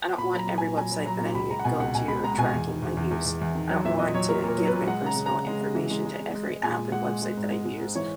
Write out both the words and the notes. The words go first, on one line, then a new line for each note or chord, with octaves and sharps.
I don't want every website that I u go to tracking my use. I don't want to give my personal information to every app and website that I use.
A#2 B5
F#3
A#5
F#3
A#2 G#5
F#3 G#5
F#3
F#3 A#5
A#2
C#2 B5
C#2 A#5
F#5
B2 G#5
C#2 F#5
B2 G#5
G#3 B5
G#3 A#5
B2 G#5
E2
D#3
E2
E2
E2
E2
E2
D#3
F#3
A#2 E5
A#2 D#5
F#3 C#5
A#2 A#4
A#2 A#4
F#3
B4
A#2
G#3 F#5
C#3 A#5
C#3
A#5
C#3
G#3
C#3
E3
G#3
G#3
G#3
G#3
G#3
A#2 G#5
G#3
G#3 F#5
G#3
G#3
G#2
G#3
G#3
G#2
E3 C#5